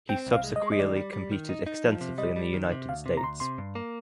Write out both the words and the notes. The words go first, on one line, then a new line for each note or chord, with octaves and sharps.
He subsequeerly competed extensively in the United States.
C4 G5
C2
F5
G#3
D#5
G#3
D#5
D#3 D5
G3
G3
D#3
D#4
D#4
F3
C3
G3 D#5
G3
D#3
C3
D2 F5
C3
A#5
D2 C6
C3 C6
G2
A#3